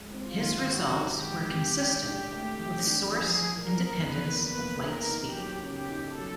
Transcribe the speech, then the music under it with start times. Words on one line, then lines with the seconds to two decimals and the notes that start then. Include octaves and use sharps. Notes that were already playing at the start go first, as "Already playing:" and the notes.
His results were consistent with source independence of light speed.
Already playing: G#3
0.11 C4
0.25 F4
0.39 D#3
0.66 C4 F#4
0.93 D#3
1.08 G4
1.21 G#3
1.49 C3
1.77 D4
2.05 D4
2.32 A3
2.59 E3
2.87 D4
3.14 F3 G#4
3.42 F3
3.56 A#4
3.69 F3
3.97 E2 B4
4.25 A#3
4.38 B4
4.52 E2
4.79 B3 A#4
5.08 D#4
5.22 G4
5.34 F#3
5.62 C#3 G4
5.90 D#4
6.04 A4
6.18 F#3